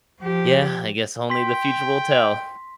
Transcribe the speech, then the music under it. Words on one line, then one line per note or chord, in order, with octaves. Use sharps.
Yeah, I guess only the future will tell.
F3 G4
G5 C6 B6